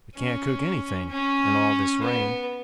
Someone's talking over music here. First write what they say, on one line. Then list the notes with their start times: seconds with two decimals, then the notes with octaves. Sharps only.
We can't cook anythin' in all this rain.
0.16 C#4
1.09 C#4
2.02 B3